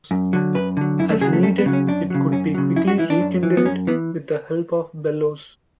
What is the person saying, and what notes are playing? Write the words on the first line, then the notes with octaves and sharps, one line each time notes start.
As needed it could be quickly rekindled with the help of bellows.
F#2
D3 F#3
F#2 B4
D3 F#3
F#2 E4
A3
C#3 F#3 G#4
A3
F#2 A3
B3
C#3 F#3
C#4
F#2 D4
C#3 F#3
F#2 C#4
C#3 F#3
F#2 E4
F#4
E3 E4
D4
F#2
E3
B3
F#2 C#4
E3 B3